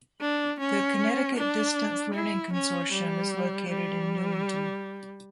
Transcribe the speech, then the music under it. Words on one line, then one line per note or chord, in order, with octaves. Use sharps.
The Connecticut Distance Learning Consortium is located in Newington.
D4
C#4
D4
E4
C#4
G3
G3